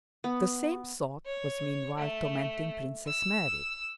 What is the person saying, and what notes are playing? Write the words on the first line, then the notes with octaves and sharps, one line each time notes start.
The same thought was meanwhile tormenting Princess Mary.
B3
C#5
A3
E6